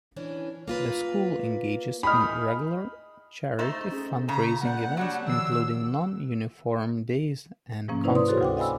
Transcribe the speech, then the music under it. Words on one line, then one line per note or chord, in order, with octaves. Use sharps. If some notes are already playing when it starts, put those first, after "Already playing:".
The school engages in regular charity fund-raising events, including non-uniform days and concerts.
E3 C#4 D4
A#3 F4 B4
D#4 E4 G#4 B5 F6
A3 D#4 C5 C#6 A6
C#4 G#4
C#3 A#5
A#3 D5 F#5 G6
F#3 G3 D4
D#3 F3 E6 C7
G#2 C3 F3 A#3 C#4
D#4 E4 B4 C5 D5
D5 C6 D#6
F#4 G#4 A4 C5 C#5
D2 G5 D6
D#5 F5 G#5 B5 E6